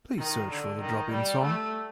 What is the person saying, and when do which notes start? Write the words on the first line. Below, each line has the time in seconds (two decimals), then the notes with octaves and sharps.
Please search for the Drop-In song.
0.18 D#3
0.50 D3
0.80 D#3
1.11 G3
1.42 A3